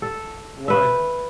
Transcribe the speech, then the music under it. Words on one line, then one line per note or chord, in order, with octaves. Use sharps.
"Why then?"
A4
B4 E5